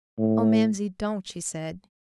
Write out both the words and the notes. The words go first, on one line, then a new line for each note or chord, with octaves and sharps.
"Oh, mamsie, don't," she said.
A2